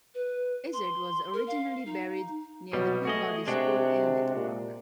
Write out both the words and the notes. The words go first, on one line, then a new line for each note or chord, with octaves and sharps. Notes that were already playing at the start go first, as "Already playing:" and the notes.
Izard was originally buried near the Peabody School in Little Rock.
B4
C6
A#4
F5
D#4
C2 B2 F#3 G3
A3 F#4 G#4 D#5
C3 G#3 D4 F#4
A#2